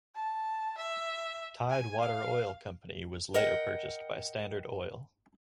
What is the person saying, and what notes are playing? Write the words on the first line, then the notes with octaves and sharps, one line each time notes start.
Tide Water Oil Company was later purchased by Standard Oil.
A5
E5
G#5
F5
A#4 D#5 F#5 G5